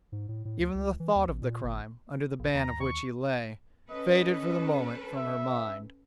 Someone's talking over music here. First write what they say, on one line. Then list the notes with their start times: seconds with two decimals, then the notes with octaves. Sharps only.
Even the thought of the crime, under the ban of which he lay, faded for the moment from her mind.
0.12 G#2
0.29 A2
0.45 A2
0.59 D2
0.75 C#2
1.00 E3
1.16 D#2
1.28 A1
1.42 A#2
1.64 G1
2.40 A#1
2.55 D#2 A#5
2.80 D#2 C#6
3.90 C#4 A4 B4 D#5
5.17 E5